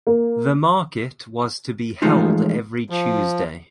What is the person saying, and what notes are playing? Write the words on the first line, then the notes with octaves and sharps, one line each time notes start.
The market was to be held every Tuesday.
A#3
E3 F3 G#3 A3 D#4 F4
F3